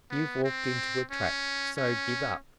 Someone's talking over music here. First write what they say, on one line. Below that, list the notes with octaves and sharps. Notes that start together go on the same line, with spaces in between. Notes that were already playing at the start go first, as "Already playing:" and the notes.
"You've walked into a trap, so give up."
B3
C4
C#4
C#4